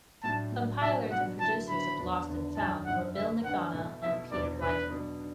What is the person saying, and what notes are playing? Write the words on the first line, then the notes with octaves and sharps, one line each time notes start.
Compilers and producers of "Lost and Found" were Bill McDonough and Peter Blyton.
A2 F#3 D4 A5
A2 F#3 D4
B2 F#3 B3 D4 E5
B2 F#3 B3 D4 F#5
D3 F#3 B3 E4 A5
D3 F#3 B3 E4 B5
E2 D3 B3 D4
E2 D3 B3 D4
F#2 F#3 D4 A5
F#2 F#3 D4 F#5
D3 B3 D4 E5
D3 B3 D4 F#5
B2 A3 E4
B2 A3 E4 E5
E2 B2 B3 D4 D5
E2 B2 B3 D4 B4
B2 F#3 B3 D4
D4